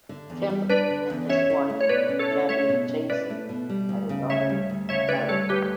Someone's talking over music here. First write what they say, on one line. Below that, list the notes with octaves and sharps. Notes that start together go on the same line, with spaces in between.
Kemp and his wife, Gaby Jamieson, have a daughter, Thalie.
D3
E2
G3
D4 B4 D5
D3
E2
C#4 C#5 E5
E4
A3
C#5
B2 B4 D5
C#4
A4 C#5
E4
A3 C#5 E5
B2
C#4
E4 B4 D5
A3
B2
G3
D2
C#3
D2 C#5 E5
G3
D2
C#3 C#5 E5
D2 B4 D5
G3 A4 C#5
D2 G4 B4